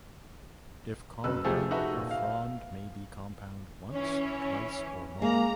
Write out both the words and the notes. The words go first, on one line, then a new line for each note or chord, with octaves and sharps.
If compound, a frond may be compound once, twice, or more.
F#1 F#3 B4 E6
C3 F3 A3 G4 G#4
D#4 F#4 A4 B4 E5
A#2
F5
E3 C#4
G#3 A#3 A#5